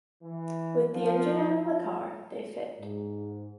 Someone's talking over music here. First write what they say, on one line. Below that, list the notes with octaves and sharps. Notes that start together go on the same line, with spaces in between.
With the engine out of the car, they fit.
E3
F3
F3
G#2